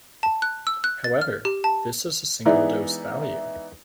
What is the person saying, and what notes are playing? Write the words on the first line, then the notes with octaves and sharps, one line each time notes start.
However, this is a single-dose value.
A5
F#6
E6
F#6
A6
F6
G4
A5
E3 G#3 B3 D#4 E4 D5